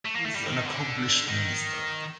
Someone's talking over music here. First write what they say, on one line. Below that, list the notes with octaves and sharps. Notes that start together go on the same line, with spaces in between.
He is an accomplished minister.
A3
A#3
A3
G3
D#3
D3
D#3